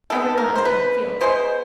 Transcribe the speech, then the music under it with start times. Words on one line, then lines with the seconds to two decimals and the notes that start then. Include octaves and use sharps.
Everyone attended Field Day.
0.10 D#3 G#3 B3 A4
0.38 A#4
0.55 C5
0.65 B4
1.21 B2 G#3 B3 C5